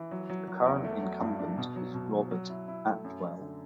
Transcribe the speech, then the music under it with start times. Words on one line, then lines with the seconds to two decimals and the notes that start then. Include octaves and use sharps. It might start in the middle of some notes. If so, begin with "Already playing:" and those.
The current incumbent is Robert Atwell.
Already playing: E3
0.11 F#3
0.30 F#3
0.48 F#3
0.66 E2
0.84 A3
1.02 F#3
1.21 G2
1.39 D4
1.58 B2
1.76 F#3
1.94 B2
2.13 F#3
2.31 F#3
2.50 E4
2.68 E4
2.86 A3
3.04 F#2
3.22 F#2
3.41 D3